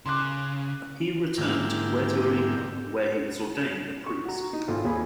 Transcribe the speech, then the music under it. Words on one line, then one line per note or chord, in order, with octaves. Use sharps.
He returned to Puerto Rico where he was ordained a priest.
C#3 C6 D6 F#6
G#2 D3 A#3 E4 G5
C#6
F#4 A#5
D#4
G#1 F4 A4
D#2 G#4 G#5 B5